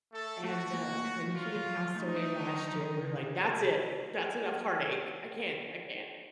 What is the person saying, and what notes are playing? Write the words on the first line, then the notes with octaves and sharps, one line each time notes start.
and, uh, when he passed away last year, we're like, "That's it, that's enough heartache, I can't, I can't."
A3 A4
A3 F#4
A#3
A3
F3
F#3 F4
F#3
F3
A3 D#4
F#3
A3
F#3
F3
F3
D#3
C#3
C3